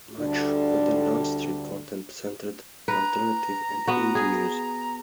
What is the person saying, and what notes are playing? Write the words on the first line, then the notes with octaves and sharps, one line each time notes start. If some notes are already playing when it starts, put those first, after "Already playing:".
Much of the non-strip content centred on alternative and indie music.
D2 D3 G3 D4
B4 A#5
B3 F#4
G#4